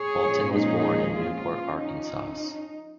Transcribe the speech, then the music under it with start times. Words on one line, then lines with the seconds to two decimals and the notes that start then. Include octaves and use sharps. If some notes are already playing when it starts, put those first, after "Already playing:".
Walton was born in Newport, Arkansas.
Already playing: G#4 C#5
0.23 A#2 F3 G#3 C#4
0.54 D#4 G#4
1.17 F4
1.49 F3 C#4
1.80 D#4